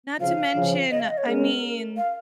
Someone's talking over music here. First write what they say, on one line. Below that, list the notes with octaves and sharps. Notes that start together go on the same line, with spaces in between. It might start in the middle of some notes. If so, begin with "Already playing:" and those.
Not to mention, I mean,
C#3 F3 F5
C#3 F3
D#5
F5
D#5
C#5
G#3 C#4 A#4
F5